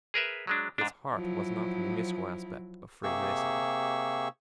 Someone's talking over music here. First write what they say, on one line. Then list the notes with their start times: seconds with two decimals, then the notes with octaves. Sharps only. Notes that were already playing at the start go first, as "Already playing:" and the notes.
His heart was not in the mystical aspect of Freemasonry.
0.14 G#4 A#4 B4 E5
0.47 F#3 G#3 D4
0.78 G#2 D4
1.12 F3 F#3 E4
3.03 C3 A#3 G4 G#4 C#6 E6